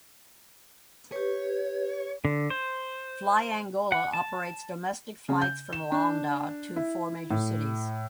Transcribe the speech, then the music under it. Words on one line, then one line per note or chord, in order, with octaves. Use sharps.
Fly Angola operates domestic flights from Luanda to four major cities.
G4 B4 C#5
D3
C5
F#5
A5
C#3
G6
E7
D4
E4
A2